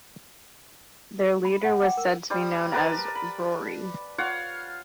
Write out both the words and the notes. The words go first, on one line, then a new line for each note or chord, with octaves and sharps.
Their leader was said to be known as "Roarie".
B5
F#5
F#5 G5 D6
A#4
G3 C5 D5
A#4 B4 D5 A5
B5
F4 C#5 F5 F#5